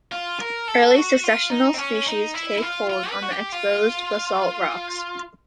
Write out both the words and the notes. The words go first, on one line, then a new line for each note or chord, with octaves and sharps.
Early successional species take hold on the exposed basalt rocks.
F4
A#4
A4
F#4
F4
D#4
C4
C#4
D#4
E4
E4
F4
F4
B4
F#4
G4
F4